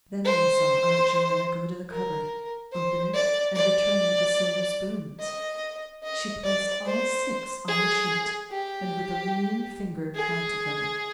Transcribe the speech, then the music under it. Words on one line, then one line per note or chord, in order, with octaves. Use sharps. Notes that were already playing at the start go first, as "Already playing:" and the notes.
Then they saw Aunt Joanna go to the cupboard, open it, and return with the silver spoons; she placed all six on the sheet, and with a lean finger counted them.
C5
A#4
C5
D5
D5
D#5
D#5
D5
C5
G#4
G4
G#4